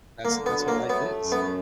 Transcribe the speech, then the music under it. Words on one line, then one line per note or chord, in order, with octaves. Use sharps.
that's that's what life is.
D3 A#3
B3
F#3
A#3
A3 B3
F#2
B3